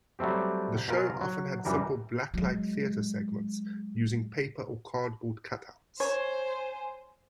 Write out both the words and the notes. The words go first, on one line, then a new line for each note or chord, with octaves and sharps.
The show often had simple black light theatre segments using paper or cardboard cutouts.
F#3 G3 A3 C4 G4
B2 F4 A#4 G#5
F#3
F#2 E3 G3 A#4
F#3 G#3
C5 C#5 G#5